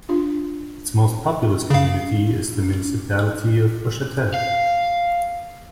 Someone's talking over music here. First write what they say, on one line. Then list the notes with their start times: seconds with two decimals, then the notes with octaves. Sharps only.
Its most populous community is the municipality of Boischatel.
0.09 D4 F4
1.70 C#3 F5
4.34 F5